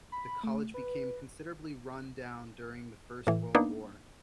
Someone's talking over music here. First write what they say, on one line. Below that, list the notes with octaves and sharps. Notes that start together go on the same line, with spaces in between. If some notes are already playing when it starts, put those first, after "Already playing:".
The college became considerably run down during the First World War.
B5
A3
B4
A2 E3
A#3 B3 D4 D#4